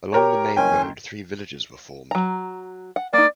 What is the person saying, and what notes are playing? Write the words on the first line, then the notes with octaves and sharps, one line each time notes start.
Along the main road three villages were formed.
G4 A#4 C#5
F#1 C#4 G5 G#5
F#3 A#5
F#5
A#3 D#4 D5